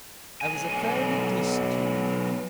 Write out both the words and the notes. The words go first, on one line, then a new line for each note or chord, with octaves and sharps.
I was a fairly decent youth.
B1 G#5